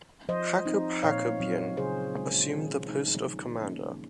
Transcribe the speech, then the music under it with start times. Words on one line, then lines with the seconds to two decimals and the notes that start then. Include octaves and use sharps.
Hakob Hakobyan assumed the post of commander.
0.29 F3 C5 D#5
0.66 C4 D#4
1.03 A#2 C#5 F5
1.40 F#3 C4
1.77 C#3 G#4 C5
2.14 G#3 C#4
2.51 D#3
2.88 G#3 D#4
3.25 F3
3.62 A#3 C#4